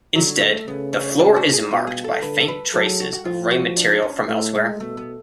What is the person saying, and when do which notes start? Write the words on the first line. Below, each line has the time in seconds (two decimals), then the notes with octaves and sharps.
Instead, the floor is marked by faint traces of ray material from elsewhere.
0.15 D3 F#3
0.41 A3
0.67 C#3 B3
0.93 C#4
1.19 D4
1.36 F#4
1.54 G#4
1.71 B2 F4
1.87 G#4
2.04 A4
2.22 D3 B4
2.41 A4
2.48 B4
2.74 F#3 A4
2.86 G#4
3.00 F#4
3.13 F#4
3.25 F3 F4
3.51 F#4
3.77 D4
4.02 C#4
4.28 A2 A3
4.55 G#3
4.80 B2 A3
4.97 B3